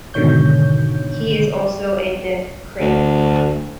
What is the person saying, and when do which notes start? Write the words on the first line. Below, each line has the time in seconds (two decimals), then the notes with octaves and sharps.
He is also a myth critic.
0.14 G#2 B2 D3 D#3 C#5 G6
2.80 D2